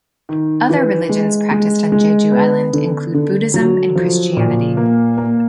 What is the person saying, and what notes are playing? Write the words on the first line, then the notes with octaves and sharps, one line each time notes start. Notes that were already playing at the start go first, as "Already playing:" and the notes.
Other religions practiced on Jeju Island include Buddhism and Christianity.
D#3
E3
G#3
G#3
G#3
B3
D3
D3
F#3
F3
A#2
A#3
A#3